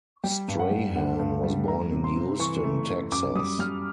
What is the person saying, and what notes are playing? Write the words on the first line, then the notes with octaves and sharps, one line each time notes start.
Strahan was born in Houston, Texas.
G3 G5
G2
F#5
G3
D3 F#5
G2
G3
A3 A#5
C3
C6
C3
E3 C#6
A3
A3
F#2 D6
G3 D#6
G3 F6